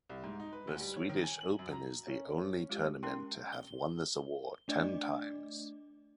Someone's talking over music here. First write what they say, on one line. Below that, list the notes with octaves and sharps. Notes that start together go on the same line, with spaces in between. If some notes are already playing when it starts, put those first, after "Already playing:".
The Swedish Open is the only tournament to have won this award ten times.
C2
G#2
D#4
B4
D2
G3
C#5
D#3
G#5
F#7
F#2
A#5
C#4
G#3 F4 G4
C#4 A#4 G5 C6
G7
A3 D4 D5 D#5 D6